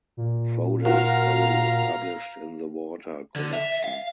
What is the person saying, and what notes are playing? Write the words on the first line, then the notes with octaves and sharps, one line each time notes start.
Foden's story was published in the 'Water' collection.
A#2
F4 F#4 A#4 F5 A#5
D3
E5
F5